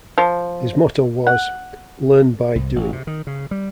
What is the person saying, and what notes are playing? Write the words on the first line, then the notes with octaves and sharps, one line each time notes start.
His motto was "learn by doing".
F3
F#5
C2
A1
C3
D#3
C#3
G3